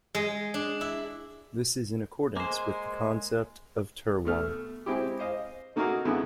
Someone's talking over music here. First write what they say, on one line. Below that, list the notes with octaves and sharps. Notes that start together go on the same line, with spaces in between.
This is in accordance with the concept of "terroir".
G#3
D4
E4
G#3 A#3 C5
B2 A3 F6
G#3 C4 E4 G4
C5 D#5 F5
A3 A#3 D#4 F#4 G#4 A#4
F2 D3 G#3 B3 E4